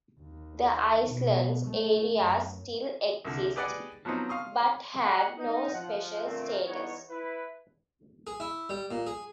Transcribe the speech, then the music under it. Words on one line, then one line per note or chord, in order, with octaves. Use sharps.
The islands areas still exist, but have no special status.
D#2
B2
A3
F#2
C2 D3
G4 G#4 B4 D5 D#5 F#5
F3 F#3 B3 C4 D#4
F5 C6 C#6 D#6
F#5
D#4
F3 F#5
A#2 D3 A3 A#3 C4
E3 G3 B3 D#4 C#5
E4 B4
G#4
E4
G3
A#2
G#4